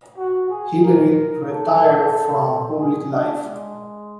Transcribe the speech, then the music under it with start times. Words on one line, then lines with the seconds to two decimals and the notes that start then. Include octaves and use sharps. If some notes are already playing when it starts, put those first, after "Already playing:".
Hillery retired from public life.
0.18 F#4
0.50 G#4
0.83 A#4
1.48 A4
2.79 G#4
3.12 D4
3.44 G#3